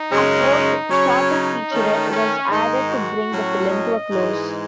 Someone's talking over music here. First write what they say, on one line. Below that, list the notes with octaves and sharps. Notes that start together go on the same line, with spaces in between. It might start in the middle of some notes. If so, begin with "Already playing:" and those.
A fourth, shorter featurette was added to bring the film to a close.
Already playing: D#4
F#2 C#3 G#3 C#4
D#4
C#3 F#3 C#4 C#5
D#4
D#3 A3 C#4
C#4
G#2 D#3 G#3 D#4
F#4
A2 F#3 C#4
D#5
G#2 E3 G#3